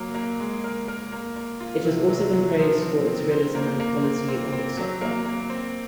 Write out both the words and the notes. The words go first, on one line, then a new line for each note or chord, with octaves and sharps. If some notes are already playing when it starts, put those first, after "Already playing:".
It has also been praised for its realism and the quality of its software.
Already playing: F#3 A#3
A#3
G#3
A#4
A#4
A#3
A#3
F4
C3
F#3
F#3
F3
C4
C4
C5
A#3
A#3
C4
C4
C4
F#3
A#3
A#3
C4